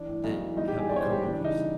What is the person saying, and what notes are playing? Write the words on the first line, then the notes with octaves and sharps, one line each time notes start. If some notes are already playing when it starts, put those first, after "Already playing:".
that have become movies.
Already playing: E3 D4
A2
B1
E3
G1 D#4
G4
G3
G#4
G1 D5
C#5
C5
G3
G4
E3 D4
D4
C#3
D#4
G3